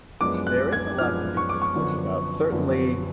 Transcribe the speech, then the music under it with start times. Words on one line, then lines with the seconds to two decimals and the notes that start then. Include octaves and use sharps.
there is a lot to be concerned about, certainly
0.21 F#2 F3 G#3 B3 D4 D6
0.47 F#6
0.73 G#6
0.98 F#2 F3 G#3 B3 D4 F6
1.37 C#6
1.49 D6
1.62 C#6
1.75 F#2 D3 F3 B3
2.52 F#2 D3 F3 B3